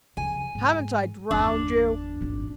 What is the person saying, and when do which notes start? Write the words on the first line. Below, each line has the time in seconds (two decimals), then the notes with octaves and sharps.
'Haven't I drowned you?'
0.17 C#3 F3 G#5
0.55 G#2
1.31 G1 E2 D4
2.21 G#1 A#2